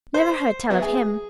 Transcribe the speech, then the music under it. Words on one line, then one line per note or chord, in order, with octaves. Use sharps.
"Never heard tell of him!"
C5
F#3 B3 E5
G#4